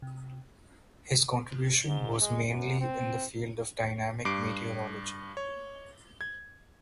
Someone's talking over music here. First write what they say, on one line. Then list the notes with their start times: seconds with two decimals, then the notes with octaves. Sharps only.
His contribution was mainly in the field of dynamic meteorology.
0.02 C3
1.87 G#2
2.21 G#3
2.50 F#2
2.81 C4
4.25 G2 D6 C7 D7
5.37 C#5
6.21 G#6